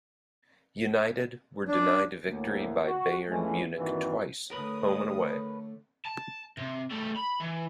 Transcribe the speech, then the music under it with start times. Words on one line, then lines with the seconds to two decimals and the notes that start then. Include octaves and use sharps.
United were denied victory by Bayern Munich twice, home and away.
1.68 D4
2.27 D2 A2 A#3
2.85 F#4
3.29 E3 F3 G#3 A3 C#4
3.76 G2 A#2 D#3 E3 C4 F#4
4.51 D3 A3 A#4 B4 C#5 D#6
6.05 A5
6.57 C3
6.90 G3 A3
7.16 B5
7.40 E3